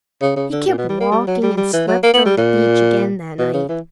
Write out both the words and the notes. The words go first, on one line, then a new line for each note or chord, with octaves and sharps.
He kept walking and slept on the beach again that night.
C#3
C#3
D3
A#2
B2
G3
A#3
G3
F#3
G3
G3
E3
F#3
A#3
B3
G3
A#2
B2
C#3
E3